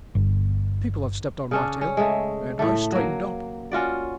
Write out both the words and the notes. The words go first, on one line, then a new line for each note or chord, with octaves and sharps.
People have stepped on my tail, and I straightened up.
G1
C#3 C#4 D4
C#4
G#3 A3
A2 A3
F#3 A#3
C#4 F4 F#4 D5